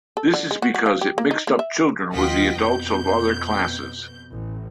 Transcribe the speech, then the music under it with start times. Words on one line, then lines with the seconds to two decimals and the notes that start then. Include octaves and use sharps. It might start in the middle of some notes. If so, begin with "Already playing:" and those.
This is because it mixed up children with the adults of other classes.
0.17 A4
0.34 D3
0.51 G#3
0.62 F#4
0.74 F#4
0.86 F5
1.01 G4
1.18 A#3
1.31 D#4
1.47 A#3
1.59 E5
2.12 D#2 F4 D#5 F#5 G5 B6
2.56 F2 B2 G6
4.31 A1